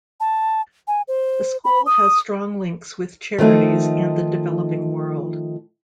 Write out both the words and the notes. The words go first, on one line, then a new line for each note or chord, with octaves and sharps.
The school has strong links with charities and the developing world.
A5
G#5
C5
B5
D#6
D#3 F3 A3 D#4